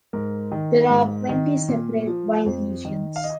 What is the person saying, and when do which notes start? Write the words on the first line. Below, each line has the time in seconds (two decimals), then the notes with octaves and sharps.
There are twenty separate wine regions.
0.13 G#2 A#4
0.52 D#3
0.90 G#2
1.29 D#3
1.68 A#2
2.07 F3
2.46 F2 C5
2.85 D#3
3.16 F5
3.24 D#5